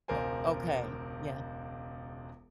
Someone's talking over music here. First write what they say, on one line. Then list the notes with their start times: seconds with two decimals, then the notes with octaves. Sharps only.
Oh, okay, yeah.
0.08 E1 C#2 A#4 C5 G#5